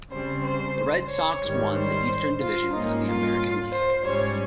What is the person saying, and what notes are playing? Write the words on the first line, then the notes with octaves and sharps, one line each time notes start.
The Red Sox won the Eastern Division of the American League.
C#3 G3 C4 C5
C5
C#5
G#2 D#3 G3
C5
F4
G#2 G3 A#3 C#4 D#4
F4
C5
G#2 G3 C#4 C#5